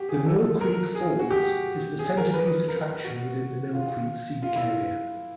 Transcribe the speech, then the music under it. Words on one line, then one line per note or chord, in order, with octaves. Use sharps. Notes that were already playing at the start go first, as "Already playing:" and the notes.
The Mill Creek Falls is the centerpiece attraction within the Mill Creek Scenic Area.
Already playing: F#4 G4
G#4
A4
A#4
G#4
F#4
G4
G#4
A#4
B4
A#4
F#4
F4
F4
E4